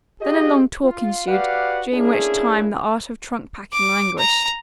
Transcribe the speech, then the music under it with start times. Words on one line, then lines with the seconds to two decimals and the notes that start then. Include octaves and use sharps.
Then a long talk ensued, during which time the art of trunk-packing languished.
0.21 F4 G4 G#4 D#5
0.84 F4
1.26 F#4 G4 B4 D5 F5 F#5
1.93 A3 A#3 C#4 D4 E4 G#4
3.73 D6
4.18 A#5